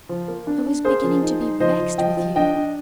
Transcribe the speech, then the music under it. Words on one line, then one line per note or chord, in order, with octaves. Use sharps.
I was beginning to be vexed with you.
F3
A#3
D4
D4
A#3 G#4 C5
F3
D#4
D#4
F3 C5 D#5
F3
F3 D#5 G5
F3
D4 D#5 G5
D4